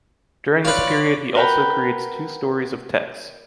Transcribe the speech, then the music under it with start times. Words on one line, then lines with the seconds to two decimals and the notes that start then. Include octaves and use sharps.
During this period he also creates two stories of Tex.
0.65 F4 B4 C#5 D5
1.35 A#4 B4 F#5 G5 A#5 B5